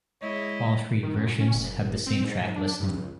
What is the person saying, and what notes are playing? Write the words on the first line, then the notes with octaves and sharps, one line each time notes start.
All three versions have the same track listing.
G#3 E4 C#5 D#5
D#3
F#2
C#4
F#1
F1
C4
G#2
G#2
D4
G2
C#2